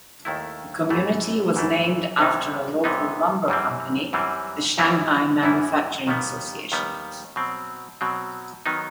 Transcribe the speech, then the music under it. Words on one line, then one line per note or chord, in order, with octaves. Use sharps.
The community was named after a local lumber company, the Shanghai Manufacturing Association.
D#2 D#3 A3 E4
G1 F#2 E3 A3
G1 F#2 E3 A3
C2 C3 E3 B3 D#4
C2 C3 E3 B3 D#4
F#2 E3 G3 C4
F#2 E3 G3 C4
F#2 E3 G3 B3 E4
F#2 E3 G3 B3 E4
D#2 D#3 G3 B3
D#2 D#3 G3 B3
B2 F#3 C4
B2 F#3 C4
D#3 F#3 B3 D#4